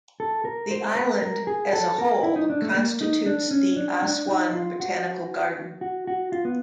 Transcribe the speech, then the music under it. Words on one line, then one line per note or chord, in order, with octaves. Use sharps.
The island, as a whole, constitutes the Aswan Botanical Garden.
A4
A#4
C5
B4
A#4
G#4
A4
A#4
E4
D#4
D4
A3
A#3
D#4
D4
C#4
D4
D4
D#4
F4
F#4
F#4
F#4
F4
B3